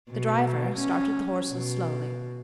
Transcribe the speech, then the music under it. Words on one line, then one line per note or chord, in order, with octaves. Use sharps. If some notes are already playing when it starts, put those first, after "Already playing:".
The driver started the horses slowly.
B2
C#4
B2